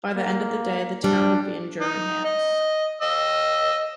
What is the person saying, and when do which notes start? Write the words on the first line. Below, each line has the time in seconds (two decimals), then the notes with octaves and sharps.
By the end of the day, the town would be in German hands.
0.16 A#3
1.04 G3 D4
1.81 D#4
2.25 D#5
3.02 D#5 E6